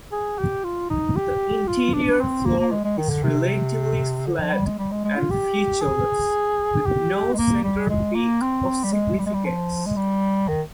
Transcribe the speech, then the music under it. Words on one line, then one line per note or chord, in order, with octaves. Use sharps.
The interior floor is relatively flat and featureless, with no central peak of significance.
G#4
G4
F4
D#4
G4
F4
D4
C4
A#3
A#3
G#3
G#3
D#3
D3
C3
D3
F3
G3
G#3
G3
G#3
G#3
F4
G4
G#4
G4
G#3
A#3
G3
G#3
A#3
C4
G3
G#3
G3
G#3
G3
F3
G#3
G3
D#3